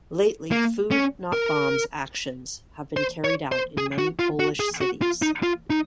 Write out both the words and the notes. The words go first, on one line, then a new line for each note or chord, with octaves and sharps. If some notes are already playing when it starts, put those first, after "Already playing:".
Lately Food Not Bombs actions have been carried out in many Polish cities.
A#3
C#4
A#4
C5
C#5
C5
G#4
F#4
F4
F#4
G#4
F#4
F4
D#4
F4
D#4